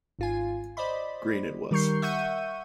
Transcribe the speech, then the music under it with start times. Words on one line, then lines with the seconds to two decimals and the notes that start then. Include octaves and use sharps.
Green, it was.
0.19 G#1 F4 G#5
0.77 C5 D5 D#5 B5
1.71 D#3 G3 A#4 C#6 G6 C7
2.02 E5 F#5 C#6 G6 D#7